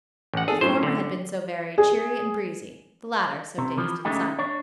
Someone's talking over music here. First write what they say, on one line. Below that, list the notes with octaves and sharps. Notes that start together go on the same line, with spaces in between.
The former had been so very cheery and breezy, the latter so dazed and silent.
A1 F#5
G#4 A4
A2 F#3 C#4 C5
D3
G#4
C3
E3 F3
C#2 C#3 G#3 A3 D#4 G4
D4 C#5